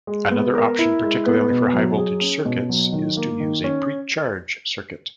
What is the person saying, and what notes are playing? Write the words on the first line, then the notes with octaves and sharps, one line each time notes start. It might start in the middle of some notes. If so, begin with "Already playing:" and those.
Another option, particularly for high voltage circuits, is to use a pre-charge circuit.
G#3
B3
A#4
E4
G#3
B3
B2
F#3
G#4
C#4
B2
F#3
D#3
A#3
D#3
C#4